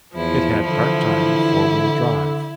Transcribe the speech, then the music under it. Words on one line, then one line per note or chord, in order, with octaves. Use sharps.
It had part-time four-wheel drive.
E2 F3 E4
D3 E3 E4